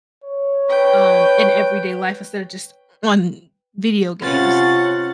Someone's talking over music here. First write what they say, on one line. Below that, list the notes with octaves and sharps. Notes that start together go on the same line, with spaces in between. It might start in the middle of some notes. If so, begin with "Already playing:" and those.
um, in everyday life instead of just on video games,
C#5
B4 G5
C3 C#4 F4 F#5 A6